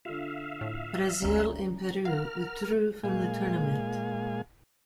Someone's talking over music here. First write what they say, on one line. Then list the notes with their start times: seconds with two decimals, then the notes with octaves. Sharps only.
Brazil and Peru withdrew from the tournament.
0.05 D3 F4 E5 F5
0.61 A2
1.22 G1 D2 G3 C#4 A#5
2.05 A#4 F5 F#5 F6
3.04 A#2 G#3 F5 G#5